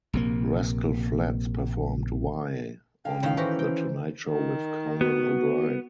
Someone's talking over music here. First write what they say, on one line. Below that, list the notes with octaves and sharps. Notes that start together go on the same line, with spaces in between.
Rascal Flatts performed "Why" on "The Tonight Show with Conan O'Brien".
A#1 C3 A#3
D3 F5 G5
A2 D#3 C#4 E4 F5
E3 F#4 G4 A#4 C5
C5 G5
D#3
B3 F#4